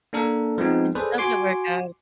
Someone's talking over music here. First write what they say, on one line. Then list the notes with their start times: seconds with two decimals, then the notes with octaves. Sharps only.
it just doesn't work out.
0.13 A#3 D4 A4 A#4
0.58 F3 G#3 B3 C4 D#4
0.95 G#4 A4 B4 C5 D5
1.18 F#4 G#5 C6 D6